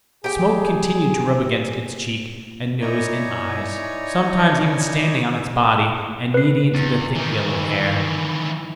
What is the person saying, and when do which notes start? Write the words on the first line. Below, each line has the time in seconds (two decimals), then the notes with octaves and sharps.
Smoke continued to rub against its cheek and nose and eyes, sometimes even standing on its body and kneading into the thick yellow hair.
0.24 G4 G#4 G5
2.81 D#4 E4 C#5 D5 G#5 A#5
6.34 B4 C7
6.74 E2
7.15 D#3 E3